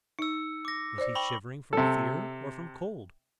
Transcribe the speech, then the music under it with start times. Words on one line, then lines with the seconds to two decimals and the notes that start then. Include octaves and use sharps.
Was he shivering from fear or from cold?
0.19 D#4 E6 C#7
0.65 D6 A#6
0.98 C5 D5
1.15 G5 B5 C#6 F#7
1.73 C3 A4